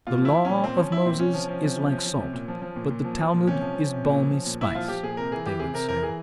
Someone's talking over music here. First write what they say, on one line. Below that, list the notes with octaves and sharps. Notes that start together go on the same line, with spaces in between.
'The law of Moses is like salt, but the Talmud is balmy spice,' they would say.
A#2 F4
F3 E4
F3
A#2 C#4
A#2 C4
F3 C#4
F3 E4
A#2 C4
C3 C#4
F3
F3
C3
C3
F3
F3
C3
A#2
F3
F3
A#2
A#2
F3
F3
A#2
C3 C#4
F3
F3
C3
A#2
F3
F3
A#2
A#2 E4
F3 F4
F3 G4
A#2 G#4
C3 A#4
E3 G#4
E3 G4
C3 G#4
C3 A#4
E3 A#4
E3 G#4